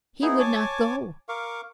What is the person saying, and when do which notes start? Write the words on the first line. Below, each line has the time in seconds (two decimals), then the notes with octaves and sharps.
He would not go.
0.22 B3 D#4 E4 G#4
0.39 C#5 G#5 A5 D6
1.29 A#4 F5 C#6 D6